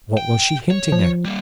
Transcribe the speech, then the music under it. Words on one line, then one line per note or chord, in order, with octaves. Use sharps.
What was she hinting at?
G5
C#5
F3
G3 A#3